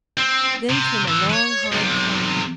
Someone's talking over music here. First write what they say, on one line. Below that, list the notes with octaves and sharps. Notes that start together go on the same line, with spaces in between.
Then came a long, hard climb.
C4
C3
E3 A4
B4 C#5
B1 C3